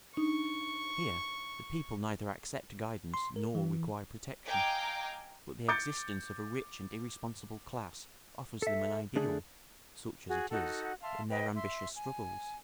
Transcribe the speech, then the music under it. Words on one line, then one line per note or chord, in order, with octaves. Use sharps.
Here the people neither accept guidance nor require protection; but the existence of a rich and irresponsible class offers them an ideal, such as it is, in their ambitious struggles.
D4 D#4 C#6
C6
A#4
E3
D#5 F5 G5 G#5 A#5 D6
D6 G6 A6 C#7
A4 E5
D3 A3 D4 G#4
F#4 G#4
D#4 F#4 A4 F#5
E5 F5 A5 C6
B4 D#5 G5
E5 C6
G#5